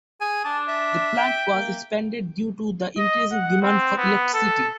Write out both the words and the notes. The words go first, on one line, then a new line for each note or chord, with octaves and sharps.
The plant was expanded due to the increasing demand for electricity.
G#4 G#5
D4 A5
E5
G5
A#3
D#5
F#5
C4
B3
A4